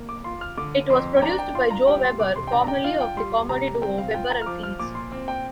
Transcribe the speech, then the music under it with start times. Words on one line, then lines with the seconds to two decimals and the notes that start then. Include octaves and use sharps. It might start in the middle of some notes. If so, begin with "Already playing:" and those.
It was produced by Joe Weber, formerly of the comedy duo Weber and Fields.
Already playing: A#3
0.09 D6
0.24 F4 C6
0.41 F6
0.57 D3 D6
0.90 F2 C6
1.16 G5
1.22 D4 A#5
1.39 G5
1.55 F4 C6
1.71 A#5
1.87 G3 G5
2.04 C6
2.20 C3 D6
2.36 C6
2.47 G5
2.52 D4 A#5
2.64 A#5
2.68 G5
2.84 F4 F5
3.00 G5
3.17 G3 C6
3.49 C3 A#5
3.82 C4 G5
3.98 F5
4.14 F4 G5
4.30 A#5
4.42 F6
4.46 F3 D6
4.63 F6
4.79 A#2 D6
4.95 C6
5.12 C4
5.28 G5